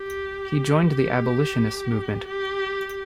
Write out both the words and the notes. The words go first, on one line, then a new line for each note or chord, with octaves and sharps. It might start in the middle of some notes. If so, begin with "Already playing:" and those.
He joined the abolitionist movement.
Already playing: G4
G4
G4